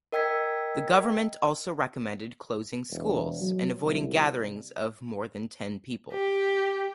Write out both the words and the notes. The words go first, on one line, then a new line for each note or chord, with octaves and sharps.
The government also recommended closing schools and avoiding gatherings of more than ten people.
A#4 D#5 G5 E6 G#6 B6
E1
F#3
C2
G4